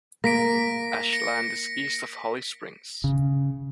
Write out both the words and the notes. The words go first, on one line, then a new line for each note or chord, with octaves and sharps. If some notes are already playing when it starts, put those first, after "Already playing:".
Ashland is east of Holly Springs.
A#3 A#6 B6 D7
A#6 C#7
C#3